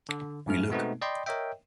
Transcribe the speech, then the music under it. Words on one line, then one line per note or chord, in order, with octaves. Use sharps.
We look.
D3
F2 G#2 A3 F6
B2 G#3 A3 B3 C4 D#4
D5 D#5 G5 B5 C6
A#4 C#5 D#5 E5 G5